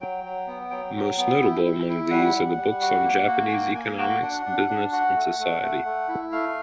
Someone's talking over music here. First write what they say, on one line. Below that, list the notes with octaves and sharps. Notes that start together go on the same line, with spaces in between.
Most notable among these are the books on Japanese economics, business, and society.
F#3 G5
F#3
B3
F#3 G5
F#3
B3
E4
E4
E4
G3 F#5
G3
G3
F#4
A#3
F#4
G#5
A#3 G5
A#3 G#5
F#4 G5
D4 F#5
D4
D4
F#4 F#5
A3
A3
A3
A3
E4
A3 F5